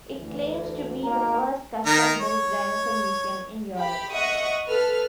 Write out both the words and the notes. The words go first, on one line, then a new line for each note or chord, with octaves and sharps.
It claims to be the first custom-built dinosaur museum in Europe.
D2 E3
G#1 A#3 A#5
D#3 A#4 A#5
C#5
G4 B5
D#5 E5 F#5 C#6 D#6
A4 B4 F6